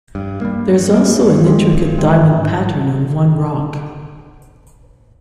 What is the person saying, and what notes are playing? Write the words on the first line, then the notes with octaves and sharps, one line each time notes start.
There also is an intricate diamond pattern on one rock.
G2
G3 A#3
G2
G3 A#3
G2
D#3 G#3
G2
D#3 G#3
G#2